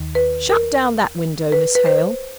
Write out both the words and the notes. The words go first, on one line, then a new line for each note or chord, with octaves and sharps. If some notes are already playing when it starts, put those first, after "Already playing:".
Shut down that window, Miss Hale.'
Already playing: D#2 D#3
B4
A#4
B4
B4
C5